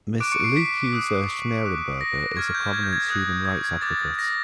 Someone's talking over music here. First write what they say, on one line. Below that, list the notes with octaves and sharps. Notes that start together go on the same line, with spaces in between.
Ms Leutheusser-Schnarrenberger is a prominent human rights advocate.
C#6 D6 F#6 D7
C#6 C#7
C7
B6
D#6 F#6
D6 F#6
A#6
C#6 F6 G#6
G6
G#6
G6
G#6
D#6 F#6
G#6
G#6
D6 G6 A6
A#6